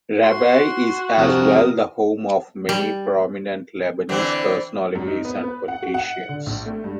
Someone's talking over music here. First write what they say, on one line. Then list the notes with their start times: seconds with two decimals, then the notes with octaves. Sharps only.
Rabieh is as well the home of many prominent Lebanese personalities and politicians.
0.23 F#4 C6
1.18 F2 C3 A#4 D#6
2.69 G3
4.09 D3 E3 C4
4.95 F#2
5.07 D#4
5.25 B3
5.44 B4
5.68 F#5
5.82 F#4
5.94 F#5
6.29 D3
6.46 A#1
6.66 A3
6.84 G2